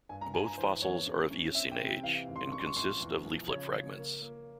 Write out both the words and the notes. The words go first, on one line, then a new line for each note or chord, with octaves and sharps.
Both fossils are of Eocene age, and consist of leaflet fragments.
G2 G#5
A#5
G2 G#5
A#5
E3 C5
E2 C#5
C#4
C#4
C4 E5
G5
C3
G5
E3 F5
G#1
C6
C#4 C#6
C6
C#6
A#1 C6
E2
F3
C#3 C#5
C#3
A#3
A#3